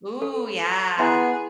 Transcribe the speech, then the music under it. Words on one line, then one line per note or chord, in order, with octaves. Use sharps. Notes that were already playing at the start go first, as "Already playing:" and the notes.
Ooh, yeah.
A4
B3 E4 G#4 E5 C6